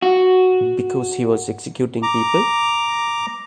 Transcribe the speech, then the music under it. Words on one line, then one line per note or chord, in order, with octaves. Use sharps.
Because he was executing people?
F#4
A#5 D6